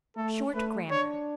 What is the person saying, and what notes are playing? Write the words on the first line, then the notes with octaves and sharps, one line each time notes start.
Short Grammar.
A3 A4
A3 B4
D4 C#5